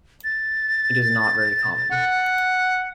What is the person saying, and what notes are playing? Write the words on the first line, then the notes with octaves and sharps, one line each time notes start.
It is not very common.
A6
F#5